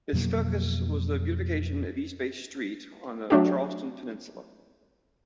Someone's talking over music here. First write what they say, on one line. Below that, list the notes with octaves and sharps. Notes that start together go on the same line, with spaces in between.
His focus was the beautification of East Bay Street on the Charleston peninsula.
F2 B2 F#3 A#3
F#3 A3 D4 F#4 G4